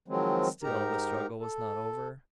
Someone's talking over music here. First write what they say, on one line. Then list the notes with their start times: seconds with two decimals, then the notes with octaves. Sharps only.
Still the struggle was not over.
0.08 D#3 F3 F#3 G#3 C4
0.63 G#2 D#4 G4 A#4 A#5
1.40 A4